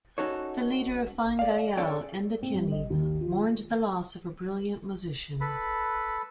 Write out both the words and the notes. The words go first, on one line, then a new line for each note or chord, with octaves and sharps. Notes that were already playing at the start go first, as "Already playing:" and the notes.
The leader of Fine Gael, Enda Kenny, mourned the loss of a "brilliant musician".
C#4 D#4 F#4 A4 C#5
D5 F5
C#4 G#4 A4 C#5 D5 G5
C4
G3
D#5
D#2
F4
A4 B4 B5